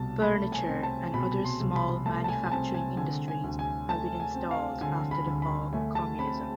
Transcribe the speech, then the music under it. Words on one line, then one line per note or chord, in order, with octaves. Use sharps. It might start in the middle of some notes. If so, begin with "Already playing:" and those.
Furniture and other small manufacturing industries have been installed after the fall of Communism.
Already playing: C2 B2 A5
A3 B5
G#5
C4
A5
B2 B5
C6
C2
B5
A3 A5
A5
G#5
G#5
C4 A5
G#5
D3 G#5
G#5
D2
G#5
A3 A5
G#5
C4
F5
D3 G#5
B5
D2
B5
A3 G#5
A5
C4 B5